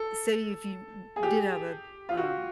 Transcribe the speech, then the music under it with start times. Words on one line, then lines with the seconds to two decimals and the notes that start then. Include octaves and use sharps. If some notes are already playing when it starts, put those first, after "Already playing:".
say if you w did have a, um,
Already playing: A4
1.16 G#4
1.23 G4
2.09 F4
2.17 F#4